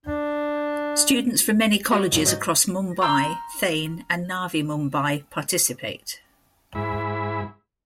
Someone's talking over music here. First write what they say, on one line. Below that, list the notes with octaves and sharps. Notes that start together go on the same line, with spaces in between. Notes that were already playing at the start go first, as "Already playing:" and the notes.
Students from many colleges across Mumbai, Thane, and Navi Mumbai participate.
D4
F#4 G4 C#5 D#5
E2 A#2 F#3
G#2 F#3 D#5 G6
A#5 C6 E6 G6
G#2 E4 B5